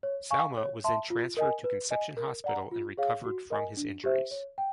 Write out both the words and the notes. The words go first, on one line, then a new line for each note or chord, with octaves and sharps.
Salameh was then transferred to Conception Hospital and recovered from his injuries.
C#5
F5 G#5 C#6
C#5
E5 A5 C6
F4
A#4 D#5 G#5
B4
D#5 G#5
A#4
D5 F#5 A#5
F4
G#4 C#5 F5
F#4
A#4 D#5 G#5
D4
G4 C5 E5
C#5
G5